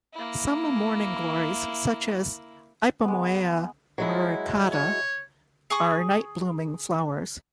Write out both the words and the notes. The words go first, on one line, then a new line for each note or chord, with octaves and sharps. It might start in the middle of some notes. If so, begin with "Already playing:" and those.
Some morning glories, such as "Ipomoea muricata", are night-blooming flowers.
A#3 E4
G#3 B3
F#3 G#3 E4
C#5
G#4 C#6 D#6